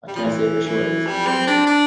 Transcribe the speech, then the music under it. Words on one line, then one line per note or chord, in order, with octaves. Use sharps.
I can't say for sure that this is illegal.
G3
F3
E3
E3
G3
C4
D4
D4